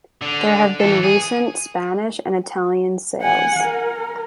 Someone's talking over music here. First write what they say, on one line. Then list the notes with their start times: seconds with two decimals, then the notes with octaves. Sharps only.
There have been recent Spanish and Italian sales.
0.22 D3
0.80 E3 A4
1.03 G#4
3.21 F#5 G#5
3.63 A#4